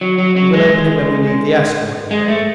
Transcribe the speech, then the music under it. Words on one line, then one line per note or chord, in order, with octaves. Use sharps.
We will open it when we leave the asteroid, Gregg.
F#3
F#3
F#3
G#3
G#3
A3